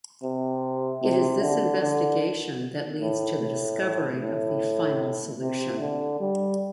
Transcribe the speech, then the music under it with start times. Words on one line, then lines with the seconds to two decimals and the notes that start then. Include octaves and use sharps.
It is this investigation that leads to the discovery of the "final solution".
0.23 C3
1.03 C3
1.42 D3
1.82 D3
3.01 A2
3.41 A2
4.21 A2
5.40 C3
5.79 D3
6.20 G3